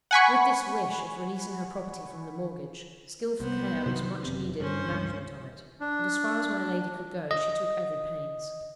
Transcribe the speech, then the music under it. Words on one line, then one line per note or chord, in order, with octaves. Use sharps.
With this wish of releasing her property from the mortgage, skilful care was much needed in the management of it; and as far as my lady could go, she took every pains.
F#5 G#5 B5 C#6
C2 B3 C5
C3 D#3 F#3
F#1 C3
G2 D3 C#4 C5
C#2 G2
D4
D#5